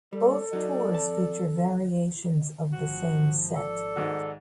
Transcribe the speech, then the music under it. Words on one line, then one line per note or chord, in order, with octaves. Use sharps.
Both tours feature variations of the same set.
G3 A4 D5
F#3 D#4 D5
F2 A5
G#1 F3 F#4
A4 D5
G#2 D#3 F#4